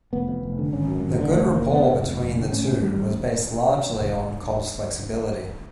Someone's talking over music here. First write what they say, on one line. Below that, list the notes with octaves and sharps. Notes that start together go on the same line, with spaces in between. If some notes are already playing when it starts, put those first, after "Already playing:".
The good rapport between the two was based largely on Cobb's flexibility.
F1 B3
F2
F1
D3
G#1 C#4
F#2
G#1
D3
F1 A3
F2 A#3
F1
C3 B3
F1
F2
F1
D3
A2 C#4
A2
A1 G3
A1